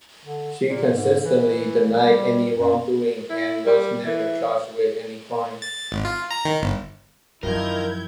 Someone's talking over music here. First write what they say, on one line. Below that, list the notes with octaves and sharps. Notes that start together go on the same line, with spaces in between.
She consistently denied any wrongdoing and was never charged with any crime.
D3
A#2
G#2
E3
G3
F#2
E4
G3
E3
A6
G#1
F4
A#5
D#3
G1
F#2 D#3 F3 E4 F4 A#4 G6 G#6